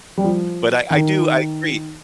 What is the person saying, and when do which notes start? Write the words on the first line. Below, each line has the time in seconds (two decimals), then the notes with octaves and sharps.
But I I do I agree.
0.18 G3
0.24 F3
0.90 D#3